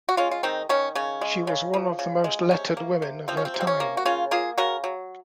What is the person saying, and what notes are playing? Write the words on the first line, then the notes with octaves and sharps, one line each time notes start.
She was one of the most lettered women of her time.
F#4
G#3 C#4 F4
F4
D#3 C4 D#4
D#3 C#4
C#3 C#4
G#3
C#3
F3
C#3
G#3
C3 C#4
A#3
C3
F3 C4
C#4
C4
C3
C4
C#4
A#3
F#4
C#3 C#4 F4
A#3 F4 G#4
C#3 F#4 A#4
F#3